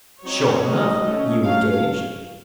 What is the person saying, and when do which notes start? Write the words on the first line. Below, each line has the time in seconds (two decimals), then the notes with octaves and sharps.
"Sure enough, you engaged?"
0.23 F#3 C4 D#4 C#5
0.64 F#3 A3 D#4 D#5
1.04 A3 C#4
1.44 F#3 A3 C#4 F5